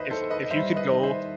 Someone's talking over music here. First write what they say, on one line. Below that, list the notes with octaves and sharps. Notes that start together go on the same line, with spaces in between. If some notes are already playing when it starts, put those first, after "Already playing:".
if if you could go
Already playing: D#2 B4 C5 D#5 E5
D#2 A4 C5
B4 D#5
G3 C5 E5
B4 D#5
D#3
C5 E5